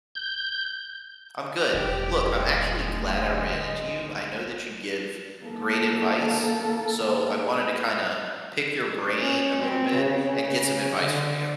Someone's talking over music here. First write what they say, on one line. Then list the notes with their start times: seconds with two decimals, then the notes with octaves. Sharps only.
I'm good. Look, I'm actually glad I ran into you. I know that you give great advice, so I wanted to kinda pick your brain a little bit and get some advice from you.
0.15 G6
1.74 E1 F#3 G4
2.35 A1 D2 G#3 G5
3.50 D#5
5.45 A#3 A4
9.20 C#4
9.61 C4
9.96 C#3
10.96 D3